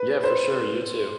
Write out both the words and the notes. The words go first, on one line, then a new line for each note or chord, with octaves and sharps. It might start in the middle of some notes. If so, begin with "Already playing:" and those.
Yeah, for sure, you too.
Already playing: B4
C5